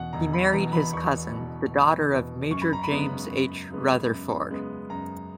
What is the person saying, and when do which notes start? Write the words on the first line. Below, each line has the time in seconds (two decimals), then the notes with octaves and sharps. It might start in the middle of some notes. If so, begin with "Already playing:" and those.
He married his cousin, the daughter of Major James H. Rutherford.
Already playing: E1 E2 B2 F#5
0.13 E1 A#5
0.33 B5
0.52 E2 B2 A#5
0.73 B5
0.93 E1 C#6
1.32 E2 B2
1.72 E1
2.12 E2 B2
2.51 F#2 C#6
2.62 B5
2.73 A#5
2.84 B5
2.91 C#3 G#3 B3
3.30 F#2
3.70 C#3 G#3 B3
4.10 F#2
4.49 C#3 G#3 B3
4.89 F#2 A#5